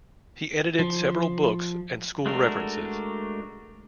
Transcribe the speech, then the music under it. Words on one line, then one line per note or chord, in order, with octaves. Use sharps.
He edited several books and school references.
F3
G#3 A3 D4 F#4 A#4